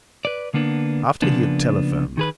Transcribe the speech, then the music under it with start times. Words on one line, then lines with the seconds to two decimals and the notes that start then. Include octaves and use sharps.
After he had telephoned.
0.25 B4 D5
0.54 D3 A#3 B3 D4
1.22 C#3 F3 A#3 B3 D4
2.17 D#3 G#4 B4